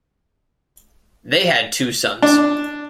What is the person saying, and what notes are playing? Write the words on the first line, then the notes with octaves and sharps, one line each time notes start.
They had two sons.
D4